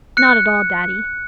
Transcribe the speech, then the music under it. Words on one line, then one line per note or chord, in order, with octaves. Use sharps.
"Not at all, Daddy."
F#6 C#7